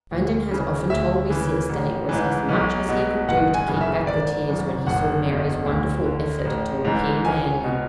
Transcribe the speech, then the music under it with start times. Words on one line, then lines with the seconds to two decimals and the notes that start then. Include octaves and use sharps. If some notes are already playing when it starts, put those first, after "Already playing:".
Brandon has often told me since that it was as much as he could do to keep back the tears when he saw Mary's wonderful effort to appear manly.
0.11 D2
0.51 C#3 E3
0.90 D2 E5
1.30 C#3 E3
1.69 A1
2.09 G#2 E3
2.49 B1
2.89 B2
3.28 F#1 F#5
3.54 G#5
3.68 F#2 C#3 E3
3.81 E5
4.07 G#1 D5
4.47 F#2 E3
4.87 F#1 F#5
5.26 E2 B2
5.66 D2
6.05 D3
6.45 A1
6.85 G#2 E3
7.25 C#2 G#5
7.64 B2